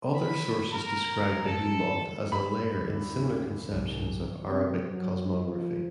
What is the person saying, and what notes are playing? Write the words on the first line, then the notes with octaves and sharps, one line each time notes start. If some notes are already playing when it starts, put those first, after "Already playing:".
Other sources describe Behemoth as a layer in similar conceptions of Arabic cosmography.
B5
A#4
A4
B5
D#2 D3
C2 G#2
C3
F#3
F3